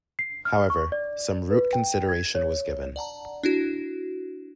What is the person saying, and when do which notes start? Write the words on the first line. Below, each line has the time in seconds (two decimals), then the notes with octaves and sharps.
However, some route consideration was given.
0.19 C7
0.45 F6
0.70 C#6
0.92 D5
1.51 B4
1.73 G5
2.09 G#6
2.35 C#5
2.96 D5 F#5 A5 A#5
3.43 D4 E4 F#4